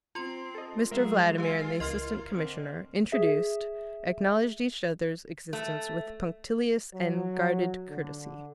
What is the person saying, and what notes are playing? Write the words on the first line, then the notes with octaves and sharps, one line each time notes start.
Mr Vladimir and the Assistant Commissioner, introduced, acknowledged each other's existence with punctilious and guarded courtesy.
C4 F4 C6
A4 D#5
F#3 G#3 G#4 A#4 E5 F5
F4 G4 B4 F5 G#5
C#2 E3 A#4 D#5 C6 F6
D3 C4
G#4 E5
A3
F#3
D3